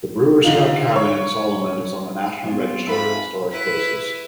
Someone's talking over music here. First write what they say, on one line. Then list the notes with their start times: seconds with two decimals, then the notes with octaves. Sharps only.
The Brewer Scout Cabin in Solomon is on the National Register of Historic Places.
0.44 D3 D#4 F4
0.96 C#5
2.44 F#3 B3 C4 F4
2.87 G#2 B4 E5 F5 A5 B5 E6
3.51 E4 B4